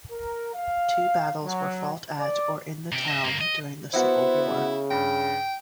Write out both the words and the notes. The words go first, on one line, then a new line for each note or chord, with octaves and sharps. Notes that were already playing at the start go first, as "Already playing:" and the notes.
Two battles were fought at or in the town during the Civil War.
A#4
F5
F#3
D5
C3 G5
D#5 E5
G2 A#3
D#5
B3 E4 F#4 C5 F#5
C#3
G2 G5